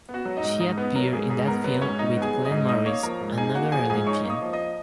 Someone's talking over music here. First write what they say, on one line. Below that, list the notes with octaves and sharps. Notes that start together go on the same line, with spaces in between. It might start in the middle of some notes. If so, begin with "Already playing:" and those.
She appeared in that film with Glenn Morris, another Olympian.
B3
F#4 F#5
F#3
D#4 D#5
G#2
G#2 D#4 D#5
B3 B4
F#3 A#4
G#2 G#4
G#2 G#4
B3 A#4
F#3 B3 B4
G#2 C#4 C#5
G#2 D#4 D#5
B3
G#4 G#5
F#3
D#5 D#6
G#2
D#4 D#5 D#6
A#3 C#5 C#6
F3 A#4 A#5
G#2
D#4 G#4 G#5
A#3 F#4 F#5
F3 G#4 G#5
G#2 G#4 G#5
D#4 C#5 C#6
A#3
D#5 D#6
F3
D#5 D#6